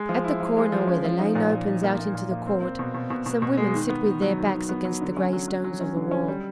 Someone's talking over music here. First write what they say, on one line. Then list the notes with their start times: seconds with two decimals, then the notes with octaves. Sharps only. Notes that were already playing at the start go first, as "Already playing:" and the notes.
At the corner where the lane opens out into the court, some women sit with their backs against the gray stones of the wall.
Already playing: G#3
0.09 F3
0.24 E4
0.40 F3
0.57 G#3
0.72 F3
0.88 C#4
1.05 F3
1.20 D#4
1.35 A#2
1.52 A#2
1.67 D#4
1.83 A#3
1.99 A#3
2.15 A#2
2.31 A#3
2.47 C4
2.62 C4
2.79 B2
2.94 B2
3.10 B2
3.26 B2
3.42 B2
3.57 G#3
3.74 D#3
3.89 B3
4.05 D#3
4.22 F#3
4.38 D#3
4.53 D#3
4.69 B3
4.85 F#3
5.01 D3
5.17 C#4
5.33 F#3
5.48 F#3
5.64 F#3
5.81 C#4
5.97 D3
6.11 C#4
6.28 G3